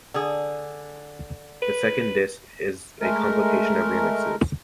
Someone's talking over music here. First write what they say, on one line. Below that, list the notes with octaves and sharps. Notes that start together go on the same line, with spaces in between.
The second disc is a compilation of remixes.
D3 G#4
B4
G#3 A3 A#4